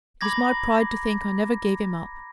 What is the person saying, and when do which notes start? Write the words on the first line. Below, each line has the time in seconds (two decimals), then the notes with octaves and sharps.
It is my pride to think I never gave him up.
0.21 A#5 B5 D6 G#6 A#6